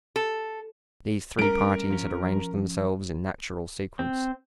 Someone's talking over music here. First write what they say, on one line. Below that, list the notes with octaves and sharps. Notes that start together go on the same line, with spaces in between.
These three parties had arranged themselves in natural sequence.
A4
G3 A3 C#4 A#4 D7
F3 C#4
C4